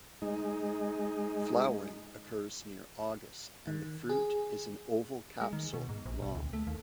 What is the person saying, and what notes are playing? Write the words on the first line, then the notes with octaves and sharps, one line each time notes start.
Flowering occurs near August and the fruit is an oval capsule long.
G#3 D#4
D#3
G#4
G#3
D#3
B2
G#2
A#1
B2
D2
A3
D#2